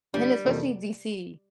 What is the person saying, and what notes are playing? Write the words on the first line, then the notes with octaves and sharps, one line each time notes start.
and especially DC
G1 G3
F2 C3 E3 A#3